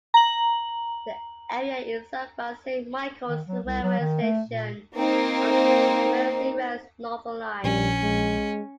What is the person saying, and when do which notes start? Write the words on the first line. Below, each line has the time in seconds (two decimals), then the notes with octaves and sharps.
The area is served by Saint Michaels railway station on Merseyrail's Northern Line.
0.14 A#5 F#7
3.28 D#3
3.48 F#3
3.66 C2
3.83 F#3
4.00 D#3
4.22 A3
4.48 A#2
4.96 A#3 C4 D#4
7.64 A#1 G3 C#4
8.02 G#3